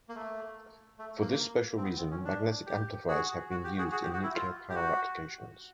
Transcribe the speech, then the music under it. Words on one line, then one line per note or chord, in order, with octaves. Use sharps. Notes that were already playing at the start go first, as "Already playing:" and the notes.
For this special reason magnetic amplifiers have been used in nuclear power applications.
A#3
A3
A3
A#3
C4
B3
C4
C#4
D4
G4
F#4 G#4
F#4
G4
F#4 G#4
F#4 G#4
G4
F#4
E4
F4
G4
F#4